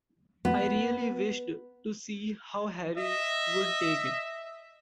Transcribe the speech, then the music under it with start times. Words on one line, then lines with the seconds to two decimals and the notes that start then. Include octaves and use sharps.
I really wished to see how Harry would take it.
0.45 B3
2.97 D#5 E5